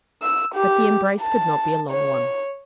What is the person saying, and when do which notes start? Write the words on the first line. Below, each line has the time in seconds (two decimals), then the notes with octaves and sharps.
But the embrace could not be a long one.
0.22 E6
0.55 G4
1.21 A5
1.90 C#5